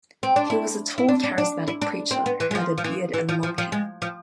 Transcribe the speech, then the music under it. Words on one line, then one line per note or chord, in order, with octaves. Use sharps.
He was a tall, charismatic preacher who had a beard and long hair.
C4
D4
E4
E4
D4
D4
D4
E4
D4
C4
B3
E3
G#3
F3
F3
E3
E3
F3
F3
F3
G#3
F3